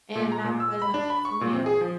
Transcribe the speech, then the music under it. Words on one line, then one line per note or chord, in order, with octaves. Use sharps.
and not pleasant to smell.
A#2
A#5
A#2
E6
B5
D4
B5
C#6
A#2
C4
G#4
F3